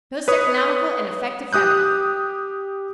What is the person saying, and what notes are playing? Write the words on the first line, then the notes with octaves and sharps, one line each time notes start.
Most economical and effective remedy.
B4 C#5 D#6
G4 D#6 F#6 G6